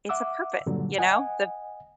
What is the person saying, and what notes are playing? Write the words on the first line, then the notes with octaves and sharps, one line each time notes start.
"It's a purpose," you know? The
E5 F#5 D6 E6
G2 A#2 D3 F#3
D#5 F#5 G#5